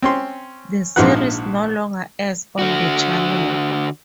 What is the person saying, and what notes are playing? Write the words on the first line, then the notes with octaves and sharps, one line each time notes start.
The series no longer airs on the channel.
C4 C#4 C6
A#1 G#2 F3 B4 F#5
D3 F#4